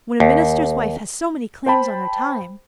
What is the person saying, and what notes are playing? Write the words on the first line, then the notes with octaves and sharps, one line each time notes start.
When a minister's wife has so many claims on her time!
D#2
C5 G5 A5 B5